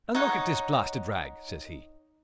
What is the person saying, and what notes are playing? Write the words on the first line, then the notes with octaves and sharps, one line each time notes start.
And look at this blasted rag, says he.
D#4 C#5 F#5